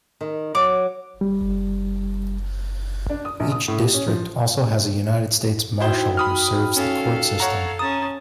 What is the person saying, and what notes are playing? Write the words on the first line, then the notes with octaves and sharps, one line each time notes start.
Each district also has a United States Marshal who serves the court system.
D#3
F#3 D6
G3
D4
D#6
A#1
D#6
A2
G4
C#4
F3
D#4 E4 F#4 C5 G5
B5 D#6 F6
C#4 A4 F5
C#5 F#5 A#5
C#4 A5 A#5 D#6